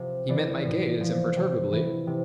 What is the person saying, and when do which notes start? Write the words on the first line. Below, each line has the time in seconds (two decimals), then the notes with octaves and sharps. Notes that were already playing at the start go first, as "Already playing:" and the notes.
He met my gaze imperturbably.
Already playing: C3 F3
0.29 E3 D5
0.65 A2
1.01 F3
1.37 C3
1.72 E3
2.07 C3